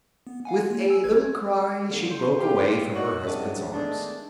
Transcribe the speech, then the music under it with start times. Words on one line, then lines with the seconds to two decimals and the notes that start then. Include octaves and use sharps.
With a little cry she broke away from her husband's arms.
0.27 B3
0.45 F5 F#5 G#5
0.58 F4
0.70 A#3
0.88 G#5 E6
1.04 G#1 B4 G#6
1.88 F2 G#2 D3 G#3 A#3
2.10 C5
2.39 C#3 F4 G4
2.95 D#4 F#4 C#5 D5
3.26 F#2 C3 F#3 G#3 D4
3.72 D#3 G#3 A3 B3 D4